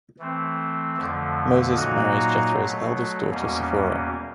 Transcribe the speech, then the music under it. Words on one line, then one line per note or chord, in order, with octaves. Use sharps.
Moses marries Jethro's eldest daughter Sephora.
E3 A3 C4
F2 D3 F3 A3
A#2 F#3 A#3 D#4 F#4
B2 F#3 A3
E2 B2 G3 A#3 C#4